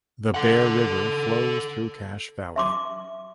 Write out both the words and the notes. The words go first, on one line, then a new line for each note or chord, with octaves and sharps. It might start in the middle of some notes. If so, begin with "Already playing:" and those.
The Bear River flows through Cache Valley.
A4 F#5
E5 C6 D6